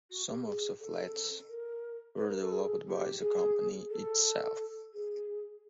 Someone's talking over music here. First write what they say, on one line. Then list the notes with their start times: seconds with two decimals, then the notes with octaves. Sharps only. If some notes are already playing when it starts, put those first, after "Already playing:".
Some of the flats were developed by the Company itself.
0.10 F#4
0.28 G4
0.44 G#4
0.80 A4
1.48 A#4
2.17 B4
2.29 A#4
2.41 A4
2.52 G#4
2.86 G4
3.20 G#4
3.90 A4
4.93 G#4